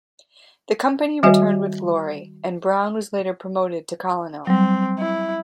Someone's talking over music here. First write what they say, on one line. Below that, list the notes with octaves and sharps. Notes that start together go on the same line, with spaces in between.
The company returned with glory, and Brown was later promoted to Colonel.
D#3 G3 F#4 D#5 G#5
F#3 G3 C4
E4